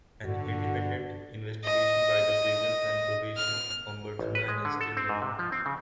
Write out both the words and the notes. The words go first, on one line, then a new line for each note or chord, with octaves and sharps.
An independent investigation by the Prisons and Probation Ombudsman is still ongoing.
G2 D3 F#4
D#5
F6
A1
B4
G#3
D3
A4
C4
G#2
C3
F3
C4
C#3